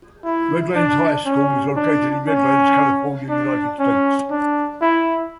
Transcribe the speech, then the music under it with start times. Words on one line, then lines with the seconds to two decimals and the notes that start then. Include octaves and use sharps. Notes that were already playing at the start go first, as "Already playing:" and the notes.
Redlands High School is located in Redlands, California, United States.
0.25 E4
0.75 D4
1.26 C#4
1.77 D4
2.28 C#4
3.29 D4
3.80 C#4
4.31 D4
4.81 E4